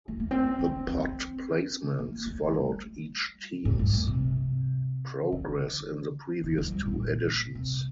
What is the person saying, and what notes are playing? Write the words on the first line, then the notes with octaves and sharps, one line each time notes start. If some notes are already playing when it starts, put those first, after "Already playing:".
The pot placements followed each teams progress in the previous two editions.
A3
A#3
C4
D4
C4
A#3
A3
G3
A2
G2
A#2
C3
D3
D#3
F3
G3
A#2
C3